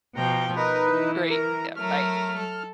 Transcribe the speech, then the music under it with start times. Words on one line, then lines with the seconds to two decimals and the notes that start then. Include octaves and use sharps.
Great. Yeah, bye. Mm
0.16 B2 F3 G5 A#5
0.56 D#4 A#4 B4
0.89 E3
1.30 A#4
1.76 F#3 A3 A#4 F6
2.36 A4